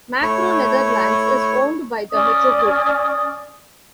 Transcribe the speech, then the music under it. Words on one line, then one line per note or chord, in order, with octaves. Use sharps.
Makro Netherlands is owned by the Metro Group.
A3 E4 C#5
C#4 D5 D#6